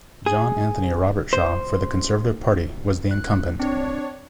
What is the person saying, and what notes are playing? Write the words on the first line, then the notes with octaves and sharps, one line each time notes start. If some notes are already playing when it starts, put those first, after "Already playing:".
John Anthony Robertshaw for the Conservative Party was the incumbent.
G#4
C5
F#6
C4 D4 C#5